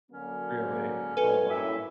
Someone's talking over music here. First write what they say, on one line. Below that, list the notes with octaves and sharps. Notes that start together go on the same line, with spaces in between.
Really? Oh, wow.
D3 F#3 A#3 C#4
B1 B2 A4 B4 G#5
A#3 C#4 E4 E5